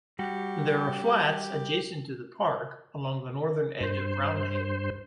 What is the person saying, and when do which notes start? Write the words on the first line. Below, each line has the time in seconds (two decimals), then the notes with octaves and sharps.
There are flats adjacent to the park and along the northern edge of Roundhay.
0.19 G3 F#4 G4
3.81 G2 C5